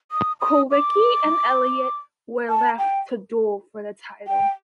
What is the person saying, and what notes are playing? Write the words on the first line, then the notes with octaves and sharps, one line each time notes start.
Kulwicki and Elliott were left to duel for the title.
D#6
D#6
D6
A5
G5
G5